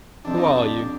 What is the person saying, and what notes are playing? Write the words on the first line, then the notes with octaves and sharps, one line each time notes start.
"Who are you?"
F2 C3 F3 C4 D4
D#4
D4